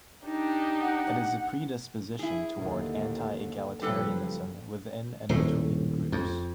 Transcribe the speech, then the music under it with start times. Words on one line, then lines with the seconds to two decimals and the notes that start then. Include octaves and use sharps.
It is a predisposition toward anti-egalitarianism within and between groups.
0.24 D4 D#4 G4
0.81 F#5
2.19 E4 G#4
2.58 D#2 D3
3.82 F#1 F3 G3 A4 B4
5.29 D#1 A2
6.12 F2